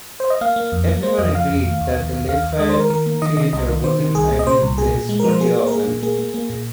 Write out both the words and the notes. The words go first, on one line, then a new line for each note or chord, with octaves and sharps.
Everyone agreed that the Lafayette Theatre was an ideal place for the organ.
C5
D#5
A#3 F5
A#3
F2
A#3
A#3 C5
F2 D#5
F3 F5
F2
D#3
D#2
D#2
D#2
D#2 F5
D#2
G#3 D#5
C5
D#3
A#4
D#3 A#4
A#3
D#3 D#5
C3 D#5
C2 D#5
D#3
D#3 C5
D#3
C2 G#4
A#2
D#5
A#2 C5
C2
A#2 G#4
A#2
G#3
A#4
F3
C5
A#3 G#4
A#3
A#4
A#3 G#4
A#2
A#3 G#4
A#3
A#3
A#2